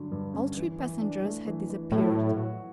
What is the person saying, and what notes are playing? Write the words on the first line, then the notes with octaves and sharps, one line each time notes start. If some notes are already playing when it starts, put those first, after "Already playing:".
All three passengers had disappeared.
Already playing: G2 D3 F#3
G2
C#4
E3
E3
D4
A3
E3
E3
A2 F#3
C#5
F#4